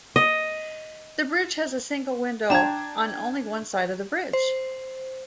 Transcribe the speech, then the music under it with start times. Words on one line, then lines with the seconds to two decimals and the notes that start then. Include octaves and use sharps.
The bridge has a single window on only one side of the bridge.
0.16 D#5
2.50 D4 G5 A5 A#5 G#6
4.33 C5